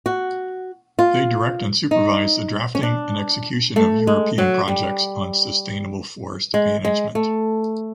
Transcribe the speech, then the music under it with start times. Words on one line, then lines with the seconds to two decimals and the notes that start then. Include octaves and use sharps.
They direct and supervise the drafting and execution of European projects on sustainable forest management.
0.06 F#4
0.99 F4
1.91 D#4
2.75 C#4
2.83 D4
3.76 A3
4.07 G#3
4.38 F#3
4.68 G3
6.54 G#3
6.85 G#3
7.15 A3